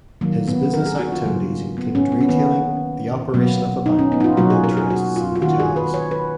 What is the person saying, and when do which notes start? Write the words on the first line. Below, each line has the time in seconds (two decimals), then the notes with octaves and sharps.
His business activities included retailing, the operation of a bank, and interests in hotels.
0.21 D#3 F#3 A#3
0.48 B3
0.74 A#4
0.86 G#4
0.99 F#4
1.12 F4
1.25 C#3 F#3 A#3
1.78 B3
1.95 C#4
2.12 B3
2.21 C#4
2.29 D#3 A#3 B3
3.34 B2 F#3 A#3 B3
3.86 D#4
3.99 C#4
4.12 B3
4.20 D#4
4.24 F4
4.37 B2 F#3 A#3 F#4
4.50 G#4
4.64 A#4
4.77 G#4
4.90 F#4
5.16 F4
5.36 F4
5.42 D#3 A#3 F#4
5.60 G#4
5.76 B4
5.94 C#5
6.11 B4